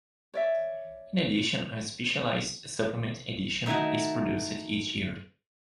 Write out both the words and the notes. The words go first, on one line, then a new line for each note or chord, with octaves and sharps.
In addition, a specialised "supplement" edition is produced each year.
C#5 D5 E5
D#3 A3 D#4 E4 F#4